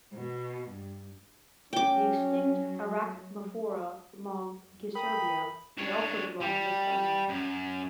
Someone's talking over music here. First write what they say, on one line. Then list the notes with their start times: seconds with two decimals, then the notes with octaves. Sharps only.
The extinct "Archaeamphora longicervia" may also belong to this family.
0.14 B2
0.70 G2
1.73 F#3 C#4 G5 D6
4.95 A#4 G5 B5 D#6
5.78 D4 C#5
6.40 G3
7.28 F#2